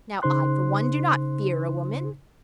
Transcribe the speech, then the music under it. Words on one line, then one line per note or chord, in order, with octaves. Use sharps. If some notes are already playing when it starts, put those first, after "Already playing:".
Now I, for one, do not fear a woman.
C#3 D#4 C5 C6 F#6